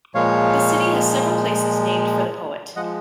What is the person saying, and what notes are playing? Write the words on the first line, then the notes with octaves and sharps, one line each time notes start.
The city has several places named for the poet.
A#2 F3 G#3 C#5 F5
F3 G#3 D#5 F#5